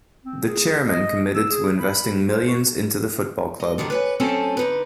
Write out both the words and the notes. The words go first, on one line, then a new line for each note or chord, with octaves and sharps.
The chairman committed to investing millions into the football club.
C4
G#4
D#5
E6
G#4
B5
C5
F#4
D#5
D3 D#3 F#3 G3
B4 C#5 G#5
F#2 C4 C#4 A4 G#5 A5
D3 D#4 B4